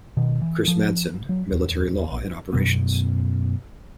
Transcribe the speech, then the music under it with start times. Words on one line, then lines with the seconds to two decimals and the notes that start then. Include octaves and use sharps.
Chris Madsen, "Military Law and Operations".
0.17 B2 D#3
0.42 E3
0.68 F3
1.29 F#3
1.49 D#1 E2
2.11 A#1
2.53 F#2 B2 B3